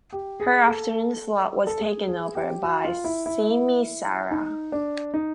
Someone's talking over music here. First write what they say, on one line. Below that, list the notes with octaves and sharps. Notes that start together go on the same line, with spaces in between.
Her afternoon slot was taken over by Simi Sara.
G4
G#4
A4
A4
G#4
G#4
G4
F#4
F4
E4
E4
D#4
D4
D#4